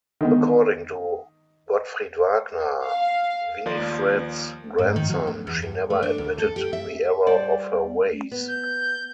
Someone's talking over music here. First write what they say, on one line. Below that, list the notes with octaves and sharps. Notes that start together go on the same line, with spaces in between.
According to Gottfried Wagner, Winifred's grandson, she never admitted the error of her ways.
D3 D#3 G#3 B3
F5
D#2 F3 A#4 D5 C6 A6
G#2
D#3
F#3
E2
E2
G2
A3
D4
D2
A4
G4
E5
G3 C5 D5
B3
G6